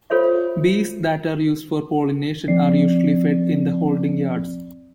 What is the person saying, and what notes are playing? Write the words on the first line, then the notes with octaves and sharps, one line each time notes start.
Bees that are used for pollination are usually fed in the holding yards.
F4 A4 C5 C#5 E5
F3 C4 D5 C7